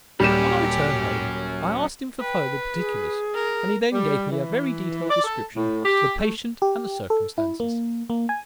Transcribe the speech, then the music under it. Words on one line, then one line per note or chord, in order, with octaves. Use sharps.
On our return home I asked him for further particulars, and he then gave me a very detailed description of the patient and the circumstances.
D#1 F#2 G3 C#4 G4 E7
B4 G5
G#4
A#4
G3
E3
D5
A4
A2
G4
A3
G4
A4
E4
A#3
A#3
G#5